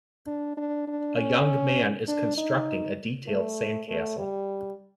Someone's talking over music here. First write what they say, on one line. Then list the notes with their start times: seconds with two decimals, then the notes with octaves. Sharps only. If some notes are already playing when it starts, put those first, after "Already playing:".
A young man is constructing a detailed sand castle.
0.27 D4
0.57 D4
0.88 D4
1.18 C#4
2.08 D4
2.38 D#4
3.28 A3
3.88 A3
4.18 G3